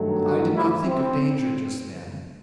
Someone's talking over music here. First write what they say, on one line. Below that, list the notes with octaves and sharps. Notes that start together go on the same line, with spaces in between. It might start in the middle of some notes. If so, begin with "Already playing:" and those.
'I did not think of danger just then.
Already playing: G2 D#3 F#3 A3
F#4
E4
C4